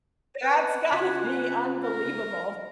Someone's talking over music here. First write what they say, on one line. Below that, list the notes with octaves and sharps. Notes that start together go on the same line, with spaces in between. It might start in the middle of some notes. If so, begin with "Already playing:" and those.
That's gotta be unbelievable.
B4 F#5
C#3 F4 G#5 B5
A#4